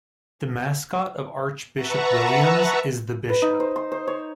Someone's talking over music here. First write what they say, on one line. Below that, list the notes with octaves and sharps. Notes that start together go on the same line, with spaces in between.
The mascot of Archbishop Williams is The Bishop.
B4 E5 F#5 A5 A#5 C#6
B4
D#4
C5
C6
C5
C#5